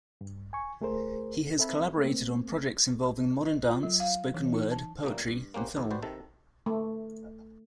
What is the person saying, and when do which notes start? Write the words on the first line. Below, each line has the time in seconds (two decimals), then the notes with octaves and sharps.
He has collaborated on projects involving modern dance, spoken word, poetry, and film.
0.21 G2
0.53 G#5 C#6
0.81 C#2 A3 G#4 A#4 C5
1.58 C4 A4 E5 B5
1.98 A3 A#3 C4
3.45 D#5
3.65 F4
3.83 F#3
4.00 F5
4.34 E3
4.54 D#4
4.72 A5
5.03 E2 A#2 C#3 G3 A3 A#3
5.28 G2
5.54 A#3 C#4 G4 C5 F#5
5.77 A#1 D#2 A4
5.91 F#4 G4 B4 C5 D5
6.02 C3 D#3 A4 A5
6.66 A3